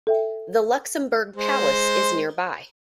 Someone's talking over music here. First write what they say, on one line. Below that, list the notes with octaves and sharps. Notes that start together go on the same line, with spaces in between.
The Luxembourg Palace is nearby.
A4 E5 G5
G#3 C5